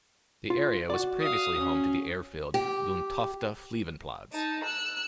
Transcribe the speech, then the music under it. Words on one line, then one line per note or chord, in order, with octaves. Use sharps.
The area was previously home to the airfield Lundtofte Flyveplads.
F4
F#4 D5
F5 D#6
C#4
G4
D#4 A5
E6 F#6